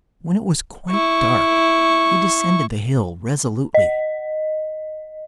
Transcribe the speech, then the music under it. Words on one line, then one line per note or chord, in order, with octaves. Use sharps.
When it was quite dark he descended the hill resolutely.
E4 C#6
D#5